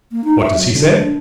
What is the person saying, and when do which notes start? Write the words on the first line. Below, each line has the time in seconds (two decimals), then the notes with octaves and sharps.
"What does he say?"
0.12 A#3
0.24 D#4
0.40 E5
0.57 F#3
0.72 D3
0.98 D4